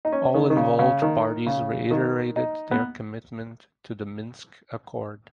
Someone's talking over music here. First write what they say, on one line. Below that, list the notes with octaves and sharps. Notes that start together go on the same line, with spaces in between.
All involved parties reiterated their commitment to the Minsk Accord.
D#4
C#4
D#3
D#3
C#3
C#3
D#3
C#3
D#3
D#4
B3